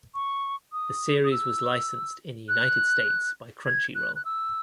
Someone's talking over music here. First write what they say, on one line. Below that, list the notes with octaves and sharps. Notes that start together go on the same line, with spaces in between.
The series was licensed in the United States by Crunchyroll.
C#6
D#6
D#6
E6
F#6
G#6
F#6
F#6
E6